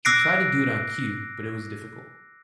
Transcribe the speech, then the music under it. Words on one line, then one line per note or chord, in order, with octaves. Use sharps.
He tried to do it on cue, but it was difficult.
D6 E6 F#6 A#6 C7 D7